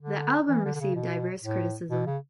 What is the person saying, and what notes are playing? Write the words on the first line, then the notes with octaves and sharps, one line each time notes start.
The album received diverse criticism.
D3
E3
D3
D3
C#3
B2
A2
B2
C#3